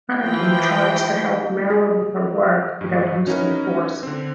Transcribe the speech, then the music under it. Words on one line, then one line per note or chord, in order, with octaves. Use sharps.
Anakin tries to help Mara with her work, without using the force.
E3 F3 G5
G#4
G2
C#4 D#4 E4 F#4 A#4 B4
D3 C4